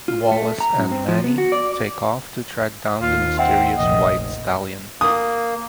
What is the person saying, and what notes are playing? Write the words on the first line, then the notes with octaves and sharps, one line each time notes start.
Wallace and Manny take off to track down the mysterious white stallion.
F4
A3
A#5
F#2
C4
F3
B3
F#4
D5
D#2 F4
C4 E5 F#5 G5
F1 A#1 D#5
A#3 D#6